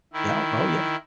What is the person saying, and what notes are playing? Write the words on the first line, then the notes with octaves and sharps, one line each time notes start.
Yeah, oh yeah.
D#3 E4